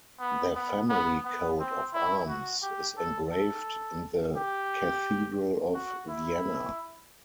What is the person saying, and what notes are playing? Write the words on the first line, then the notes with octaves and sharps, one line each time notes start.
Their family coat of arms is engraved in the Cathedral of Vienna.
B3
B3
B3
B3
C4
E4
F#4
G4
A4
A4
G4
F#4
E4